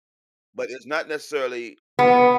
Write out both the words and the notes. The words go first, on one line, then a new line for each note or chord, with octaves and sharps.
but it's not necessarily,
B3